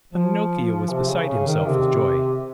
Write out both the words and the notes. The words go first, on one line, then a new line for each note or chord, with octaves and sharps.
Pinocchio was beside himself with joy.
F3
C3
C#3
C#3
D#3
C3